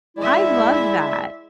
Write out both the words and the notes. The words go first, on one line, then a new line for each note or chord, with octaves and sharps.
I love that,
G#3 E4 D5 E5